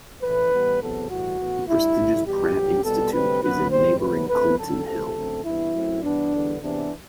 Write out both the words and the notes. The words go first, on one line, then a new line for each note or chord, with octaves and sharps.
The prestigious Pratt Institute is in neighboring Clinton Hill.
A1 A2 E3 B4
A2 E3 G3 B3
E2 C3 F#3 B3 A4
A2 E3 G3 F#4
A2 E3 B3
D2 D3 G3 E4
A1 G2 D3
E2 B2 G3 G4
A1 G2 F#3
C2 B2 G3 B3 A4
D2 C3 G3 C4 B4
F#2 F#3 B3 B4
E2 B2 G3 C4 C5
D2 C3 F#3 A3 B4
D2 D3 A3 C4 B4
F#2 D3 F#3 A4
C2 C3 E3 A3 A4
F#2 D3 A3 C4
G2 E3 B3 E4
F#2 F#3 A3 C4
G2 E3 B3 D4
E2 D3 G3 B3
E2 C3 E3 B3 D4